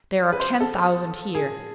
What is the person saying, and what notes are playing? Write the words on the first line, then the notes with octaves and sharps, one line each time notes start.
There are ten thousand here.
B4
C5
A4
G#4